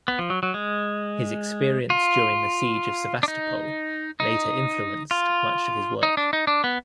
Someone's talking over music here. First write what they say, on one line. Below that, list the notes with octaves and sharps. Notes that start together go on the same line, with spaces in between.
His experience during the siege of Sevastopol later influenced much of his work.
B3
F3
F#3
F#3
G#3
F4
D4
D#4
D#4
F4
D#4
D4
D#4
D4
B3